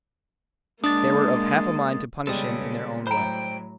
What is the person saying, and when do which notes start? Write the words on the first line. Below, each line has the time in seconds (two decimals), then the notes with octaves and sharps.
They were of half a mind to punish him in their own way.
0.84 G#3 A#3 D4 D#6 A6
2.27 C#3 G3 G#3 B3 A4 D#6
3.07 A2 F#3 C5 G5 A#5 B5